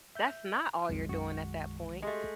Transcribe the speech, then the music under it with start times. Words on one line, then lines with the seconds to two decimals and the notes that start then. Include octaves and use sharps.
That's not all you're doing at that point.
0.15 E5 G6
0.89 B1 F2 D#3 G#3
1.09 F#2 F#4
2.02 G#3 A3 G4 C6